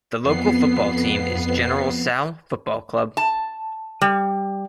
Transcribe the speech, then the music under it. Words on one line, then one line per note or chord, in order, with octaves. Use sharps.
The local football team is General Sal Football club.
F2 B3 C7
A5
G3